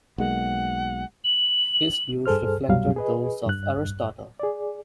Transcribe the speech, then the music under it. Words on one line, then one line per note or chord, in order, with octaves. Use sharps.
His views reflected those of Aristotle.
B1 G#3 A#3 F#5
F#7
G2 G#4 A4 C5 F6
C2 F#2 B2 F#3 G3 F5
G#4 B4 D#5
G2 F#6
G#4 D5